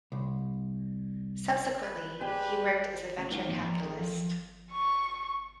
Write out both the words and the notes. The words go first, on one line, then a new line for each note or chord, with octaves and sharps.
Subsequently, he worked as a venture capitalist.
C2
B4
G#3 D4 G4 B4
C#3 A3 C#4 F5
G3 D#4 F4 B4 F5
G#2 F3 A#3 C4 D#4 F5
D5 A#5
C4 G#4 A4
F3 A4
C#6